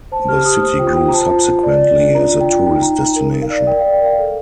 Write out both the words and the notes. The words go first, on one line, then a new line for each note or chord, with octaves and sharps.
The city grew subsequently as a tourist destination.
C5 A5
G4 F6
G4 D#6
C5 D#6
F4 G5
F4 G5
A#5
C5 A5
F4
F4
D5
D5
D4
F4 A#5
F4
G5
F4
D#4 G5
D#4 A#5
D#4 A#5
A#4
A#4
F5
D5
A#4 G5
F5
D5
G5
A#4 F5
A4